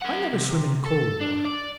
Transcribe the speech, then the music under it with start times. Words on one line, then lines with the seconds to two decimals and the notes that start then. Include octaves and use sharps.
"I never swim in cold water."
0.02 A#4 F#5
0.33 C3
0.86 A4
1.21 D4
1.45 D5